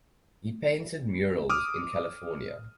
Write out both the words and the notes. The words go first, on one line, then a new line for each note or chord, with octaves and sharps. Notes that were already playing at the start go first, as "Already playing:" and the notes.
He painted murals in California.
D6 D#6 F6